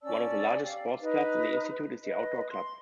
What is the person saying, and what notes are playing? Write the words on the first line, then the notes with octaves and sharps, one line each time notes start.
One of the largest sports clubs in the Institute is the Outdoor Club.
C#4 D5 A5 E6
G4 F5
D#4 B4
B4 D#5
C6